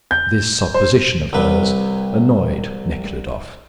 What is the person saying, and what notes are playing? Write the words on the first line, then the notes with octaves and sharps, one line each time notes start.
This supposition of hers annoyed Nekhludoff.
G6
C5
C2 C3 B4